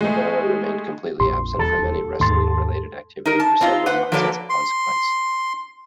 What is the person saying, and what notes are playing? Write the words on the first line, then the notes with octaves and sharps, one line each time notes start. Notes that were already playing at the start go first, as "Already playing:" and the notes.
Rivera remained completely absent from any wrestling-related activity for several months as a consequence.
G#3 A3
A#1 F2 A#2 C6
D#1 E2 A4
D#2 G#2 A3 C6 A6
D#4 A#4
A5
C4 D#4 F4
B4 C5 F#5
F3 F#3 A#3 A4 B4 D5
C6